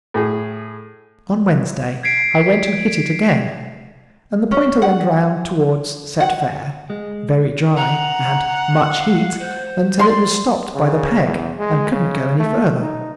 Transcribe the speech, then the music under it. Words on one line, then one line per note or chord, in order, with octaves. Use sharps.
On Wednesday I went and hit it again, and the pointer went round towards "set fair," "very dry," and "much heat," until it was stopped by the peg, and couldn't go any further.
A2 G#4
G#6 B6 C7 D7
C#4
F#5
F#5
G#3
F#5 A#5
F5
C5
D5 C6
C#3
E2
G#3
C#3
A3
D#4